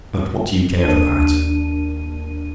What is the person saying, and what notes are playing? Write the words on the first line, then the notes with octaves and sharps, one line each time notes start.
But what do you care for that?
D#2 D4 A#4 D#7